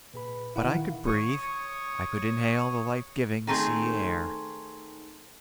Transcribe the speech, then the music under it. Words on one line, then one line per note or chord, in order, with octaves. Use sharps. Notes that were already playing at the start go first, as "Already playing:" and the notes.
But I could breathe, I could inhale the life-giving sea air.
A#2 G#4 B4 B5
D#3 E4 F5 F#5
C#5 C#6 D#6
D#3 A3 C4 G#4